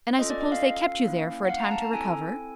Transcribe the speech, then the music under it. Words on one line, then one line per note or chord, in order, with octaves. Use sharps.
"And I suppose they kept you there for a time to recover?"
C#4 F4 A4 D#5
D5
D#5
F5
A#3 C#4 E4
F#5
F5
A#5
A5
A#5
C4 E4 A4 G#5